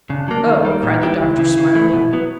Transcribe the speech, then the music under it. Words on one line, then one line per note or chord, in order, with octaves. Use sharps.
"Oh," cried the doctor, smiling.
C#3 D4
F#3 A#3 D4
D4
D#3 D#4
G3 A#3
A#2
G3 B3 E4 G4
C#2 E4
C#3 E3
C#3
E3 A3
B2
F#3 B3